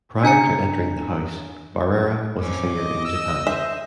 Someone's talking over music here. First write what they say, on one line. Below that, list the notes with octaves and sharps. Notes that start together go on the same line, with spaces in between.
Prior to entering the house, Barrera was a singer in Japan.
D4 G#5 A#5 C#7
F2 C#4 D6
D#5
E6
C5 E5